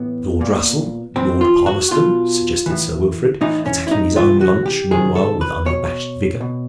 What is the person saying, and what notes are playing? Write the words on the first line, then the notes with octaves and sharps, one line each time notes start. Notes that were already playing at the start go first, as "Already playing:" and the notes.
"Lord Russell?--Lord Palmerston?" suggested Sir Wilfrid, attacking his own lunch meanwhile with unabashed vigor.
Already playing: A2 E3 B3
A#2
A2 E3 C4
F4
F#4
B2 F4
A2 E3
A2 E3 D#4
C#4
E4
D#4
C3 E3 F4
F#4
G4
C3 D#3 G#4
A4
B4
B2 C#5
B2